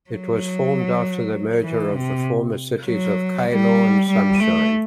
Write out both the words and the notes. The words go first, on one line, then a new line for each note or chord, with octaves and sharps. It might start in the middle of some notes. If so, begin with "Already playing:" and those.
It was formed after the merger of the former Cities of Keilor and Sunshine.
F#3
E3
C3
F#3
G3
G3
A3